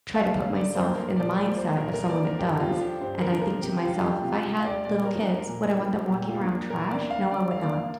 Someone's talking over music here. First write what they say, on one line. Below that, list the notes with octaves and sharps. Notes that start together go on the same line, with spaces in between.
try to put myself in the mindset of someone that does, and I think to myself, "If I had little kids, would I want them walking around trash?" No, I would not,
F5
A#3 D4
F5
D3 D5
C5
A#3 D4
A#4
A#2 D5
D5
F3 A#3
C5
A#2 A#4
A#4
F3 A#3 D5
A#4
G2 G4
F4
D3 F3 D4
G4
G2 C5
A#4
D3 F3 D4
A#4
C3 G4
F4
G3 D4
G4
C3 F4
G4
G3 D4 F5
D5
A#2 D5
A#4
F3
D4
A#4
A#2
F3 D4
A#2 G4
F4
A#3 D4
A#2 A#4
D5
A#3 D4
F5
D3 D5
F5
A#3 D4 D5
F5